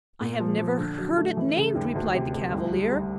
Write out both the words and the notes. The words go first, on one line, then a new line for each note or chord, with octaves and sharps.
"I have never heard it named," replied the Cavalier.
A#2
F3
F3
D3
F#3
A3
E3
C#3
D#2
D2
C3
D2
C2
G3
G3